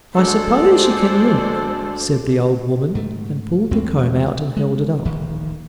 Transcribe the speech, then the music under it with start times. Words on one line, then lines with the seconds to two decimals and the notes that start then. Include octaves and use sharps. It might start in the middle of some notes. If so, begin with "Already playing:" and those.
"I suppose you can look," said the old woman, and pulled the comb out and held it up.
0.14 D2 G#3 A4 C5 D5
2.95 G#2 A3
3.71 A1 E2 G#3 C4
4.57 G#3
5.05 D1 A#1 D#2 D#3